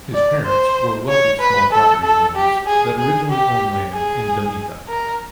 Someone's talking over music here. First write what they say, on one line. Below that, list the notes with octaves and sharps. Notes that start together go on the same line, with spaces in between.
His parents were wealthy small-property owners that originally owned land in Damietta.
D5
C5
C#5
B4
A4
A4
G4
G#4
G#4
G4
G#4
A#4